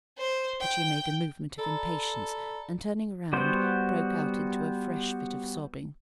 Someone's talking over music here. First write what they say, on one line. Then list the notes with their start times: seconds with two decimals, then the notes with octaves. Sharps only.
But she made a movement of impatience, and turning round, broke out into a fresh fit of sobbing.
0.18 C5
0.61 G5
1.58 A4 D5 A#5 B5
3.33 G3 B3 F#4 C5